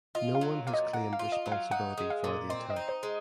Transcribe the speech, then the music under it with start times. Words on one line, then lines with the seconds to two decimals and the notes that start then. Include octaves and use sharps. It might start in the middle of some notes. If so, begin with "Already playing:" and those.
No one has claimed responsibility for the attack.
0.15 F4 D#5
0.35 F5
0.41 F#3
0.67 A#2 F5
0.74 D#5
0.93 A#3 F#5
1.13 F5
1.19 F4
1.32 D#5
1.46 F#3
1.52 F5
1.71 D#4 F#5
1.98 G#3
2.10 F5
2.24 A#2
2.50 C4 D#5
2.70 D#5
2.76 D#4
2.89 C5
3.03 G#3